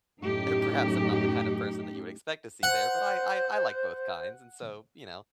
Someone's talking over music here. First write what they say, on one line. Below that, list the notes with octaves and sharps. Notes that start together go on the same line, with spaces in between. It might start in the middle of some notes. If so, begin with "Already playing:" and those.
uh, perhaps I'm not the kind of person that you would expect to see there, but I I I like both kinds. And so, you know?
F#2 A2 D#4 G4
C5 F#5